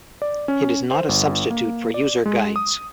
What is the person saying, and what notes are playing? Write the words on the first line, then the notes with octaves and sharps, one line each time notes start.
It is not a substitute for user guides.
D5
C#4
C5
G1
A#3
D5
G#3
D#6